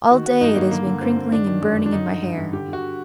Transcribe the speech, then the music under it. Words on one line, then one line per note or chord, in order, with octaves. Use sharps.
All day it has been crickling and burning in my hair.
D#3 F#4
D#3 F#4
G2 D#4
G2 A#3
D3 A#3
D3
G2 C4
G2
D#3 D4
D#3
F#2
F#2
D4
D3 D#4
D3
G2
G2
D3 G4
D3 F#4